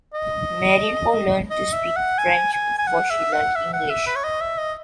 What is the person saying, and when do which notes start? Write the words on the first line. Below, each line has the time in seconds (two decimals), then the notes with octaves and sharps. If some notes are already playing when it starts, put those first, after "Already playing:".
Marinho learned to speak French before she learned English.
0.14 D#5
1.50 D#5
1.73 E5
1.96 F#5
2.18 G#5
2.53 G#5
2.78 G#5
2.87 F#5
3.10 E5
3.33 F#5
3.56 E5
3.73 F#5
3.90 E5
4.07 B4
4.16 C#5
4.24 D#5
4.41 E5
4.58 D#5